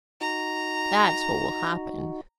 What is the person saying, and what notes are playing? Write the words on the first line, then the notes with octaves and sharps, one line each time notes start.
That's what will happen.
D#4 F#4 A#5